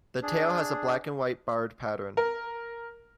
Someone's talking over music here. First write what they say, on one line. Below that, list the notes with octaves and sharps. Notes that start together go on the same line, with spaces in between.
The tail has a black and white barred pattern.
D4 G#4
A#4